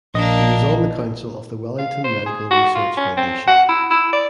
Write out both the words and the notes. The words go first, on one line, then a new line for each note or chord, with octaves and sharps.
He was on the council of the Wellington Medical Research Foundation.
A#1 A#3 D4 D#5
F5
C5
G#4
F#4
F4
C#4
C4
F#5
E4
E4
D5